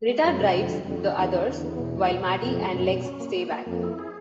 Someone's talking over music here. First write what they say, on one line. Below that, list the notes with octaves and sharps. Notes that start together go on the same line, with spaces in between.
Rita drives the others, while Maddie and Legs stay back.
G#3
F#2 G#3
C3
F2 D3
G3
F2 D3
D3
E2 D3
D3
E2 D3
B3
B2
G#3
B2
B2
F2 B2
G#3
F#2 B2
B2
C#4
A#3
A#3
A#3
F2 A#3
E4
G#4